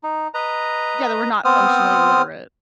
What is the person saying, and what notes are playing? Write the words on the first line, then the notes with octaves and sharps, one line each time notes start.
Yeah, that we're not functionally illiterate.
D#4
B4 D#5 A#5
B3 C4 C5 D#6 F6